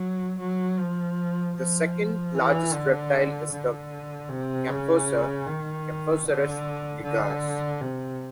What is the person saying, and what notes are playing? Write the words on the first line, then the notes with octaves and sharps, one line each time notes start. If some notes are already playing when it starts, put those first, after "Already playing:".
The second largest reptile is the champsosaur "Champsosaurus gigas".
Already playing: F#3
F#3
F3
F3
E3
D3
D3
C3
C#3
D#3
D3
D3
C3